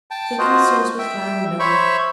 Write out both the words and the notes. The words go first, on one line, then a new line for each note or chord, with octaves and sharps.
Thicken the sauce with flour and milk.
G5 A5
F4 F#4 C5 D#5
E5 G5
C5 C#5 E5 B5 C#6